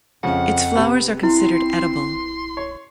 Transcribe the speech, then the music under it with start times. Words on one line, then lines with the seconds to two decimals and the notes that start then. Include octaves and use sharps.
Its flowers are considered edible.
0.23 F2 C#3 F3 F#5
0.75 C3 B3
1.23 C4 E4 C6
2.57 C#5